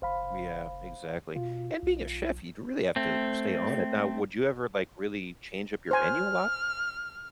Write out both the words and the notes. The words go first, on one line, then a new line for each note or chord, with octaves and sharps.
Yeah, exactly, and being a chef, you'd really have to stay on it. Now would you ever, like, really change up your menu a lot?
F#1 C5 F5 B5
B2 F4
B1
A3 C4
C5 G#5 F6